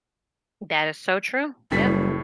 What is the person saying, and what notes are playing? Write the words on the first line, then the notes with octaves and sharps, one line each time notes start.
That is so true, yep.
F#1 A2 G3 B6